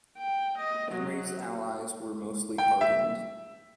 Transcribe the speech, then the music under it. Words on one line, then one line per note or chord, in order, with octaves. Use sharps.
Henry's allies were mostly pardoned.
G5
D#5
F#3
G5
E5